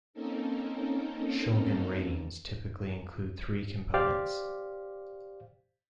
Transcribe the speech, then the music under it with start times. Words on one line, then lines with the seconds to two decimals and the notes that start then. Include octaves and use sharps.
"Shulgin Ratings" typically include three components.
0.13 A#3 C4 C#4 D#4 A4 A#4
3.94 G4 C5 D5 F5